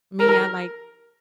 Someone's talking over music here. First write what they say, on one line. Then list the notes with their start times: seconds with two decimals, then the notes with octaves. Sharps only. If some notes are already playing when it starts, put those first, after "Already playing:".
Me, I like
0.20 A#4